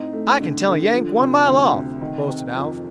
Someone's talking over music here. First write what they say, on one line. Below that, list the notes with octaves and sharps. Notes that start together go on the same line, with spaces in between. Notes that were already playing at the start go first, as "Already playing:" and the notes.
"I can tell a Yank one mile off," boasted Alf.
Already playing: A2 C4 D#4
A3
D3
D3
F3
C3
D2
C3
D#3
C3
F2